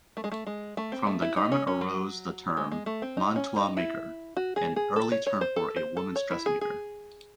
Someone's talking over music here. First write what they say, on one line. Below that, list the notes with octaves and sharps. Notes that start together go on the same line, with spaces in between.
From this garment arose the term "mantua-maker", an early term for a women's dressmaker.
A3
G#3
A3
G#3
A3
C4
A3
E4
D#4
C#4
C#4
F#3
G#3
G#3
A3
C4
D#4
C#4
D#4
E4
F#4
G#4
G#4
A4
C#5
C#5
C5
A4
C5
A4
C#5
E4
G#4
G#4